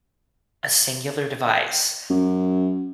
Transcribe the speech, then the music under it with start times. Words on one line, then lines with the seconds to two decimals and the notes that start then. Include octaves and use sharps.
a singular device
2.10 F#2